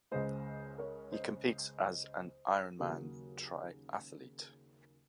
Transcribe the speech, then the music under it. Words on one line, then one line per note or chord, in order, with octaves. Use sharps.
He competes as an Ironman triathlete.
C#2 C#3 G#3 C5 D#5
A#4 C#5
C5 D#5
D#2 C#3 F#3 A#3 F#4 A#4